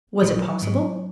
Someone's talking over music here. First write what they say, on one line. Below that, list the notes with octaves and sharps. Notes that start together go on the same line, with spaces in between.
Was it possible?
A#1 F#3
G#2